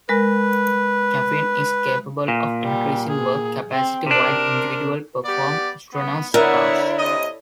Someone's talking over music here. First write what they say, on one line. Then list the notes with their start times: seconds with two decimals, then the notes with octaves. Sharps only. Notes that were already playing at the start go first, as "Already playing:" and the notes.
Caffeine is capable of increasing work capacity while individuals perform strenuous tasks.
0.09 G#3 A#4 B4
2.28 A#2
2.63 G3
3.09 G#4
3.72 C4
4.07 C3 D4 A#4
5.25 B3 G4 D5
5.93 B3
6.34 D3 B3 E4 A#4 C#5 E5 F#5
6.98 C3 D#5